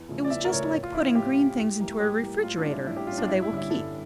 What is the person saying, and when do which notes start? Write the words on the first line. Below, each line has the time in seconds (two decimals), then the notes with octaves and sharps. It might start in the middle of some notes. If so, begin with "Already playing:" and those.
It was just like putting green things into a refrigerator, so they will keep.
Already playing: E2
0.08 C#3 F3 A3
0.24 D5
0.30 E2 E5
0.45 A#4
0.51 C#3 F3 A3 C#5
0.73 A2
0.83 F4
0.94 F3 C#4 E4
1.15 A2 G4
1.36 F3 C#4
1.58 A2
1.80 E3 G3 A#3
2.00 A2 G4
2.22 E3 G3 A#3
2.43 A2 F4
2.58 D4
2.64 E3 G3 C#4
2.71 E4
2.85 A2 E4
2.96 G4
3.07 E3 G3 C#4 F4
3.18 D4
3.28 G2 E4
3.42 E4
3.50 D3 G3 C#4
3.57 E4
3.70 G2 A4